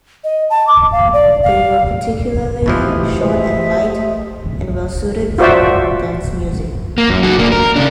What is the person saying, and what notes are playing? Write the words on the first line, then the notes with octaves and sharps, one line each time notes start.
They were particularly short and light, and well-suited for dance music.
D#5
A5
D6
F5
D5
F5
B2 E3 F3 A3 G4 D#5
C5 E5
F4 F#4 C5 D5 E5
A#3
F#2
F#4 A4
A#3 D4
A#4
C#3 D4